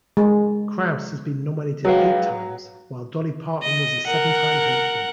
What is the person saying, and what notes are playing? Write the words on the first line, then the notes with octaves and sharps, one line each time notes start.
Krauss has been nominated eight times, while Dolly Parton was a seven-time hopeful.
G#3
F#3 G#4 B4 F5
D#5
A#4 F#5